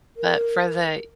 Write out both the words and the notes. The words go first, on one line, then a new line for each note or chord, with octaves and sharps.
But, for the
A#4